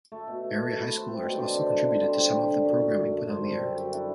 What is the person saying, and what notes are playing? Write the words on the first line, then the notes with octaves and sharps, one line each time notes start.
Area high schoolers also contributed to some of the programming put on the air.
A3 A4
B2
A3
A3
A3 B4
A3
C5
C4
D5
B2
D5
D3 C5
D3
D4
D3
G3 C5
G3
D3
D3
F#2
F#2
F#2
F#2
F#2 C5
G3
A4
G3
G4
F#2
D4 E4